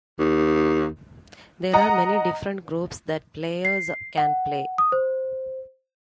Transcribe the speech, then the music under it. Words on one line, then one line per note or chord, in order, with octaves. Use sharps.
There are many different groups that players can play.
D#2
D#5 F#5 A#5
C7
F#5
D#6
C5